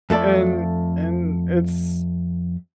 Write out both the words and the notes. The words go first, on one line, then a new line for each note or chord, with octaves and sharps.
and and it's
F2 A3 A4 D5